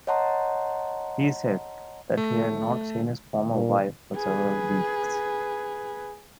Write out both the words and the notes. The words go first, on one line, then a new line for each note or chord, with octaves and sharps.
He said that he had not seen his former wife for several weeks.
C#5 D#5 F#5 A5 A#5 C6
A3
A#2
G#4 B4